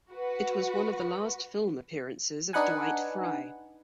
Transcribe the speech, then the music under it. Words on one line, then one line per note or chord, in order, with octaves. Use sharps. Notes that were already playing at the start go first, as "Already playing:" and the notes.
It was one of the last film appearances of Dwight Frye.
F#4 B4
D4 D#4 B4 F#5 G#5